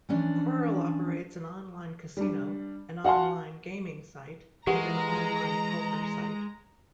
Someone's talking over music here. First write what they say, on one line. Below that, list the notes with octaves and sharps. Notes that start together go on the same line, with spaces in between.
Coral operates an online casino, an online gaming site, and an online poker site.
E3 F3 C#4 D4
G3 D4
F#4 F5 F#5 G#5 A5 C6
E3 G#3 G4 G#4 A#4 F#5 A#5